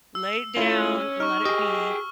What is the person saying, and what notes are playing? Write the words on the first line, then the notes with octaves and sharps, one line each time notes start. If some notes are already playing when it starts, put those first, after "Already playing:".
lay it down and let it be,
E6
A3 C#4 E4 F4
D#4 C#6 F6
G4 G#4 D#5